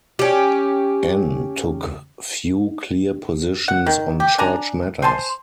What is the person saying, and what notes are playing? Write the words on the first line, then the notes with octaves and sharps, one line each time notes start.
Anne took few clear positions on church matters.
C#4 G4
F#5
D#3
G4
D4 G#5 A#5
C5 G#5 A5 C6